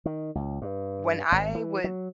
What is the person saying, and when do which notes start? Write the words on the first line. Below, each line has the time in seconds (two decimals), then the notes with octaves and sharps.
when I would
0.06 D#3
0.35 C#2
0.62 G2
1.32 G#1
1.55 E3
1.84 F#3